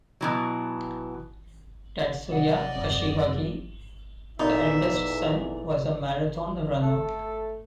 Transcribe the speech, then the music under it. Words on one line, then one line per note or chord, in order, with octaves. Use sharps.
Tatsuya Kashiwagi, the eldest son, was a Marathon runner.
B2 E3 F#3
C3 F#3 D5 D#5 F#5
D#1 F#2 C4
E2 A#2 D3 E3 D#4 E5
A3 A4